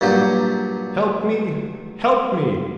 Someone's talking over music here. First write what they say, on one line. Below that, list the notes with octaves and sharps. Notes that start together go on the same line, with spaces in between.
Help me! help me!'
G2 A#2 F#3 G4